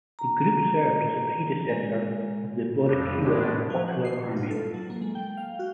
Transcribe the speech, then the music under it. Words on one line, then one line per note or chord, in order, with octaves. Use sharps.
The group served as the predecessor of the Boricua Popular Army.
A#5
G#3
F2 G3 D4
A2 G#3 B3 D4 G4
F3
F#5
C7
F#2
F4
A4
F#3
A#3
G#3
G5
F5
F#4